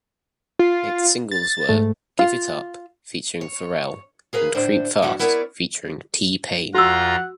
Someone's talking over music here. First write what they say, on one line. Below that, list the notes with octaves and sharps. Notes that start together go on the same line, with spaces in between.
Its singles were "Give it Up" featuring Pharrell and "Creep Fast" featuring T-Pain.
F4
A6
G#2 A3
F4
C#5
G#4 A#4 B4 F5
D2 A2 D4 C5
G2 F3 G3 E4 F#4
B3 E4 A#4 C#5 D5
F2 F4 F#4 F#5 A#5 E6